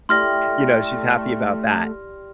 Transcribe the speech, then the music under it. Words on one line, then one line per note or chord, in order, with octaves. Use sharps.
you know, she's happy about that.
A3 E4 G4 D5 C6 F6 A#6